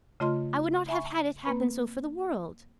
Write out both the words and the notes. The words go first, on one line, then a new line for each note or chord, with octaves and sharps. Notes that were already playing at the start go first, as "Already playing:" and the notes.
I would not have had it happen so for the world.
C#3 A3 F4 D#5 C6 F6
E5 G#5 B5 C#6
A#3 C4 B4 B5